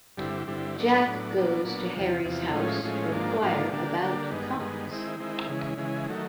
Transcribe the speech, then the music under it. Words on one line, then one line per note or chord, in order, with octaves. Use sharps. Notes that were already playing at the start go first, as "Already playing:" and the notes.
Jack goes to Harry's house to inquire about Cox.
G2 D3 G3 C4 E4
G2 D3 G3 C4 E4
A2 F#3 B3 D4
A2 F#3 B3 D4
A#2 F#3 B3 D4
A#2 F#3 B3 D4
E2 C3 F3
E2 C3 F3
A2 F3 G#3 C#4
A2 F3 G#3 C#4
G#2 F3 A#3 D4
G#2 F3 A#3 D4
D3 G3 A#3 D4
D3 G3 A#3 D4
G2 D#3 G#3 B3
G2 D#3 G#3 B3
D#3 G#3 C4 E4
D#3 G#3 C4 E4
C#3 E3 G#3
C#3 E3 G#3
D#3 F#3 A3